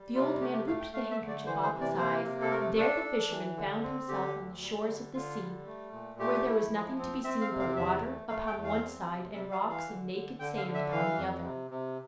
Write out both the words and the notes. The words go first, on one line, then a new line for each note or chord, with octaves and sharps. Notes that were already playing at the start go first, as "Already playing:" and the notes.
The old man whipped the handkerchief off his eyes, and there the fisherman found himself on the shores of the sea, where there was nothing to be seen but water upon one side and rocks and naked sand upon the other.
Already playing: G3
C3 F4
A3 G4
G4
A3 F5
G5
A3 F5
E5
D3
D5
E3 C5
C5
C3
D5
A#3 C5
C3
A4
A3 A#4
D4 A4
D4
E3
D3
C4
D3 G4
D2
G3
D3
D3 F4
G3
A3
A#2
A3 G4
E4
F3
C4
C4 E5
F5
C3
F5
E2 E5
A3
A3 F5
G5
E2
F5
C4
C3
G3 E5
F5
E3
F5
D3
D3
D3 G5
F5
D3
E5
E3 F5
F2
C3
C3